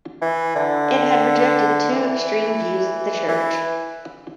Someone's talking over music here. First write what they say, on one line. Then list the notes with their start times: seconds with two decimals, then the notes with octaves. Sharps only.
It had rejected two extreme views of the Church.
0.21 E3
0.55 D3
1.92 E3
3.28 E3